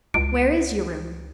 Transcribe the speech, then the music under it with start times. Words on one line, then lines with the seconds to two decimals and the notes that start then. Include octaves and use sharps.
"Where is your room?"
0.14 C#2 D7